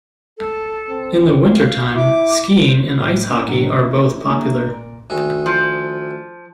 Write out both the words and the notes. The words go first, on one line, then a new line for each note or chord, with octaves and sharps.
In the wintertime skiing and ice hockey are both popular.
A4
C4
F5
E4 D6
A2 C3 B4 C5 G5
C#4 C#5
A2 F#3 A#3 D4 F#4
D2 E3 C#4 E4
A3 A#3 D4 E4 F#4 G#4
A#2 A#4 D5
D2 D#3 G#4
F3